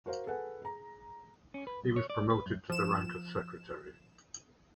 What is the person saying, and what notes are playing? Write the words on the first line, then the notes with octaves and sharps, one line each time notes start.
He was promoted to the rank of Secretary.
F#4 A#4 C5 F5
G#4 A4 B4 F#5 G#5
G#4 A#5
C#4
B4
B1
C#5
D5
B4
F#2
F3 E7